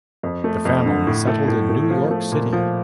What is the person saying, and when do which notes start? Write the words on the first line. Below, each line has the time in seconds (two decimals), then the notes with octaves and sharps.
The family settled in New York City.
0.23 F2
0.44 A3
0.65 F2
0.86 D3
1.07 A2
1.27 A3
1.48 A2
1.69 A3
1.90 F3
2.11 A3
2.32 A#2
2.53 F3